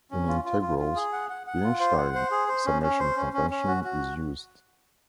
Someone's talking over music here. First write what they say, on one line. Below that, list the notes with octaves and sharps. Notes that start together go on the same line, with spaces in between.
In integrals, the Einstein summation convention is used.
C#4
F4
F4
F4
F4
G#4
F#5
F#5
F#5
F4
C5
F#5
C5
G#4
C5
C#4
C#4
C5
C#4
C#4
C#4
F#4
F#4